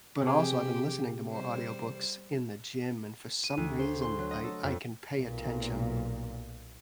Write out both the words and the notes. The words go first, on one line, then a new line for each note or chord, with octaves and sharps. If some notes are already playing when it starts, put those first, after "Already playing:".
but also I've been listening to more audiobooks in the gym, and for some reason I I can pay attention.
C3 C4 G4 G#4
G3 C5
D#7
D2
C5
C6
F#3
D#5
A4
F2
B1 A#2